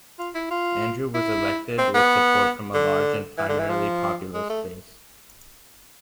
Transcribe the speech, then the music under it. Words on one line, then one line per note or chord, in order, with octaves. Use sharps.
Andrew was elected with support from a large and primarily populist base.
F4
E4
F4
E4
C4
B3
D3
E3
D3
E3
F3
G#3
A3